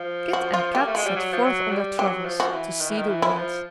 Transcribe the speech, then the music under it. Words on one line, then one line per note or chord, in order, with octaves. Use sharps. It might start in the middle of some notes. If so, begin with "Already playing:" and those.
Kit and Kat set forth on their travels, to see the world.
Already playing: F3
F#4
F4
A#3 G4
A3
G#3 F#4
G3
F#3
F3
F#3
G3
F#3 G4
F3
F#4
E3
D#3
E3
D#3
E3
E4
F3